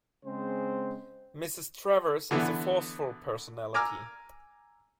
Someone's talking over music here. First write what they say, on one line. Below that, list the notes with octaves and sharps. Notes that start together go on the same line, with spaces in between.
Mrs. Travers is a forceful personality.
C#3 G#3 C4 C5
D3 E3 B3
G#5 A#5 D6 E6 F6